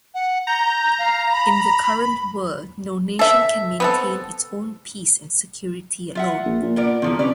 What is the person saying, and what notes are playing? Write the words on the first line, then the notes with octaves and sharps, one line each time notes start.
In the current world, no nation can maintain its own peace and security alone.
F#5
A#5 G6
F5
B5
A4 E5
B3 C4 A4
F4 E5 F#5
A#1
A#2
B3 A#4 D5
E2 D3 F3 A#3
C3 C#4 B4 D5